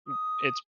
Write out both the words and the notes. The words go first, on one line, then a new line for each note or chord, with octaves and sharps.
m it's
D#6